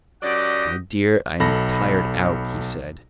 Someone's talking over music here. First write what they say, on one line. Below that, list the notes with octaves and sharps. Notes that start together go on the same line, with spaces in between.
"My dear, I am tired out," he said.
F#2 F#3 G4 D5 D#5 F#5
B1 A4 B5 A#6